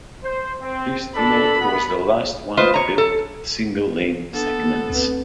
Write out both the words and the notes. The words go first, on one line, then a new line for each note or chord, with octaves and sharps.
This tunnel was the last one built with single-lane segments.
C5
C4
D4 A4 B5
B3
F4 B4 C5 D#5
C#5 A#5
A4
B3 D4 A4
D2 C4 B4